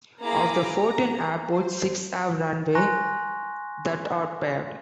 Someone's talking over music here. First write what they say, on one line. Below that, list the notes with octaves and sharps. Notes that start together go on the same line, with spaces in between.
Of the fourteen airports, six have runways that are paved.
A#3 E4 G#4 A#5 D6
A#5
C5
G#5 A#5 C6 C#6 F#6 A#6